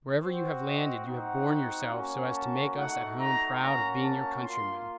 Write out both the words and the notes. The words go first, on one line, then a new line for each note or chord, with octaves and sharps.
Wherever you have landed you have borne yourselves so as to make us at home proud of being your countrymen.
C4 F#4 C5
D#5
C4 D#4 F#4 F#5
A#3 C#4 F#4
A5
A3 D#4 F#4 F#5
A#5
A#3 C#4 F#4 A#5
A5
A#3 F4 C6